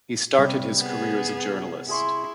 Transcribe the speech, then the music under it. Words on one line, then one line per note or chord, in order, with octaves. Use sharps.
He started his career as a journalist.
C3 G3
B3 G#4
E4 G#4 C6 C#6